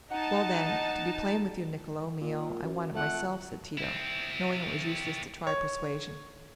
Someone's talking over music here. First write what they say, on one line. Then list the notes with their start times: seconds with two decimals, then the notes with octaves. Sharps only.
"Well, then, to be plain with you, Niccolo mio, I want it myself," said Tito, knowing it was useless to try persuasion.
0.11 D#4 F#5 A5
2.21 A#2
2.63 F#2
2.94 F2 A3 F#5
3.78 C4 E4
5.47 C#5